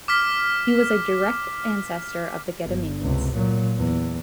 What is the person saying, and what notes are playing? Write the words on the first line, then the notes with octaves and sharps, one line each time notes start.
He was a direct ancestor of the Gediminids.
D6 F6 B6
G1
C#2 C3
A#2 F#3
E2